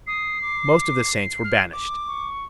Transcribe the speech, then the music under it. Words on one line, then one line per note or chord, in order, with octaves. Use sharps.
Most of the saints were banished.
D#6 C7
D6
F6
D6
C#6